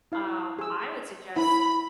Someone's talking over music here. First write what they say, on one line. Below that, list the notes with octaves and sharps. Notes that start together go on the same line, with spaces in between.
um, I would suggest,
E4 F5
G#4 E6
E4 B5